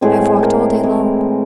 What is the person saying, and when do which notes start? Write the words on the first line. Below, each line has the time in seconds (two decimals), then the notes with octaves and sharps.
I have walked all day long.
0.01 A2 E3 G#3 C4 G#4
0.43 A#4
0.83 A2 E3 G#3 C4